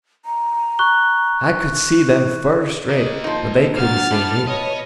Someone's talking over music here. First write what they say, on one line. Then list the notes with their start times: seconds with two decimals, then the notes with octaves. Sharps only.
I could see them first-rate, but they couldn't see me.
0.25 A#5
0.79 C#6 F#6 G7
1.93 E4
2.89 A#3 D#5
3.24 F3 D#4
3.76 F#3 A#3 D4 F#5 F6 A6
4.11 E2 D5 A5 B5
4.47 B4 C#5 D#5